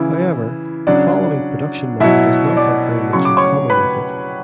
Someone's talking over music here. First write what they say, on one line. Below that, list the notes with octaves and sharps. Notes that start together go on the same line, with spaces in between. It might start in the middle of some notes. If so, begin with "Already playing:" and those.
However, the following production model does not have very much in common with it.
Already playing: C#3 E3 E4
C#3 F#3 D4 D5
B2 F#3 E4 E5
D5 D6
C#3 F#3 C#6
D6
C#5 C#6
B4 B5